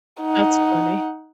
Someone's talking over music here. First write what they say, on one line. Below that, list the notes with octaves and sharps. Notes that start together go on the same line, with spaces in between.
That's funny.
D#4 F#5